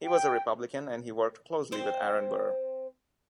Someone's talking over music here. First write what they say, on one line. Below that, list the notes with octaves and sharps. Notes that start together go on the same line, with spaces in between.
He was a Republican and he worked closely with Aaron Burr.
G5
C4 C5